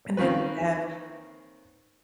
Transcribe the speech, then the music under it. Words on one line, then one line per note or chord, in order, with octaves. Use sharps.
And then we have,
D#3 A#3 C4 C#4 B4